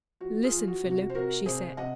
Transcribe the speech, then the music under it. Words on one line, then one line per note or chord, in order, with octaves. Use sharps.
"Listen, Philip," she said.
F3 F#4
F4 G#4
F3
F#4
C3
F#4
C5
C3 F#4 A#4
C3 G#4 C5
C3 D#5 F#5